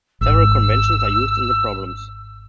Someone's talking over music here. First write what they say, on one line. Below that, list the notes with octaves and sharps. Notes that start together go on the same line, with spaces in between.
Several conventions are used in the problems.
G#1 E6